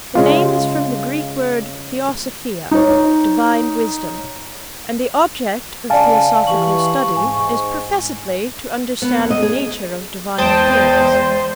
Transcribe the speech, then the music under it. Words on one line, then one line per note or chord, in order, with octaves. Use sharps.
The name is from the Greek word theosophia--divine wisdom--and the object of theosophical study is professedly to understand the nature of divine things.
C#3 G#3 F4
D#4 C#5
C#2 G2 C#3 D5 F5 G#5 A5
E3 G4 C#6 F#7
G#2 G#5
B3
E2
D#5
G#4
E2 G#3 C5 G5 A5 D#6